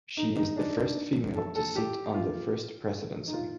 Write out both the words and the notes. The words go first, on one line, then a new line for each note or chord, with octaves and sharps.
She is the first female to sit on the First Presidency.
D#4
D#4
D4
A4
A4
G4
F4
D#4
F4